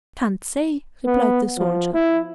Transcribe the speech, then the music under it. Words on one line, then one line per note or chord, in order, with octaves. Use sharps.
"Can't say," replied the soldier.
B3
F3
E4